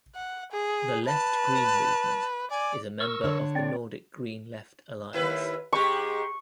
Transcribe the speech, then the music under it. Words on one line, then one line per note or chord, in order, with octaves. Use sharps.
The Left-Green Movement is a member of the Nordic Green Left Alliance.
F#5
G#4
B4 A5
D5 G#5
A#4 C#6 E6
D3 A4 C#5
C4 D5
D#2 E4 B4
G#2 G#3 G4 C#6